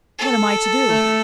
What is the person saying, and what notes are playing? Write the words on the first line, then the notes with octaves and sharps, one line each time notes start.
"What am I to do?"
A4
A3